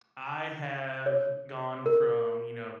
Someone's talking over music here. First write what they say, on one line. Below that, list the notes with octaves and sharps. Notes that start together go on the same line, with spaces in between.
I have gone from, you know,
C#5
A#4